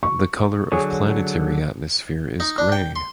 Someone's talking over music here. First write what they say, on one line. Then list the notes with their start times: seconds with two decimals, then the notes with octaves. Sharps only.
The color of planetary atmosphere is grey.
0.03 C#6
0.72 D3 F#3 G#4 C#5
2.40 D#4
2.58 D4
2.72 G5
2.96 C6